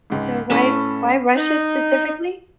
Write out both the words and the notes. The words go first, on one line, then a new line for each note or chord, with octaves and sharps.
So why why Russia specifically?
C#2 G#2
A2 C#4 A4 B4 E7
D#4